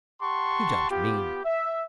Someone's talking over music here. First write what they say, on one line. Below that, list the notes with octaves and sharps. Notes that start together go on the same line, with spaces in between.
"You don't mean--?"
G4 F#5 A5 C6 C#6
B3 F4 G4
E5